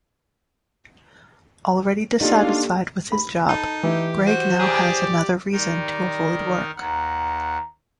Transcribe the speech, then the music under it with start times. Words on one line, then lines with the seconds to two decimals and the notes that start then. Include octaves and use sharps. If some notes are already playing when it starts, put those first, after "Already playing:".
Already dissatisfied with his job, Greg now has another reason to avoid work.
2.21 A#3 D4 D#4 F4 G4 A4
3.12 B5
3.49 D#4 A4
3.83 E3 G4
4.27 F#4 C5
4.60 G4 G#4 D5
5.52 D#3 G3 D#4 A#4 D5
6.77 D#2 F#5 A#5